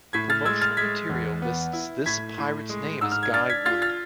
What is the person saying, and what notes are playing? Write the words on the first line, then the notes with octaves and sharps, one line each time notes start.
The promotional material lists this pirate's name as Guy Wood.
A2 G#6 B6
F6 A6
G#3 E6 G#6
F6 A6
G#3 G#6 B6
E2
B3
E4
A2 G#6 B6
A2
G#3
G#2 E6
F6
G#6
D4 F6 A6
G#6 B6
F4 F6 A6
F6 A6